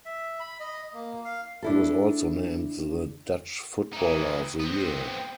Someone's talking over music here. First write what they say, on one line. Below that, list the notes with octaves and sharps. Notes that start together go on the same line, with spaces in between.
He was also named the Dutch Footballer of the Year.
E5
B5
D#5
A#3
F5
D4 E4 A4
E3 D#4
B3 C4